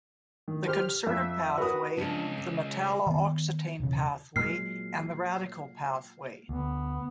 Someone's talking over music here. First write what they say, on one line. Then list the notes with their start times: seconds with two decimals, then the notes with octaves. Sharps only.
The concerted pathway, the metalla oxetane pathway and the radical pathway.
0.48 D#3
0.67 G4 C5 F6
1.06 F2 E5
1.58 F#4 A#4 B4 D#6
1.97 C#2 F3 C4 D4
2.38 C#4
3.07 D#3 B3
3.80 E1 C#3
4.36 A#2 F#3 G#3 F6 C7
6.49 D2 B3